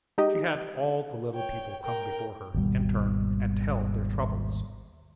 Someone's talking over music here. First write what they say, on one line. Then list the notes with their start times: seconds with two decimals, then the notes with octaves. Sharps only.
She had all the little people come before her in turn and tell their troubles.
0.18 G#3 D#4 G4 D#5
1.33 C#5 G5
1.84 A#4 G5
2.54 G#1 D#2 B2 G3